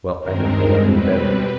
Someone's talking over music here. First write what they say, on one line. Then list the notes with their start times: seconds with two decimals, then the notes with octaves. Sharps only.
Well, I'd like nothing better.
0.20 G2 D#3 G#3 C4 A#4
0.81 B2 G3 C4 B4